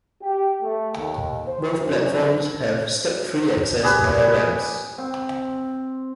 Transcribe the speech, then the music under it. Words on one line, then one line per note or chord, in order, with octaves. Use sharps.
Both platforms have step-free access via ramps.
G4
A3
D#2
C5
F#2
G4 G#4 B4
C4